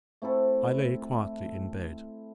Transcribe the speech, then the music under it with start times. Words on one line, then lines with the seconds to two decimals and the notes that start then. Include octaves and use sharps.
I lay quietly in bed.
0.22 A3 C4 E4 A4